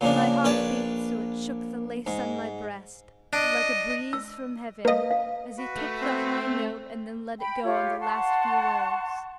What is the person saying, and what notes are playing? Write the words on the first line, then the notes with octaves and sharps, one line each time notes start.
My heart beat so it shook the lace on my breast, like a breeze from heaven, as he took the high note and then let it go on the last few words.
A#2 C#3 F3 D4
A#1 B4 C#5 D5 A5
G#2
D4 D#5
E6
A#3 B4 D#5 F5
F5
F#4 B4
A3
C4
G5 B5
F4 G4 C#5
F#5 A5 C6 C#6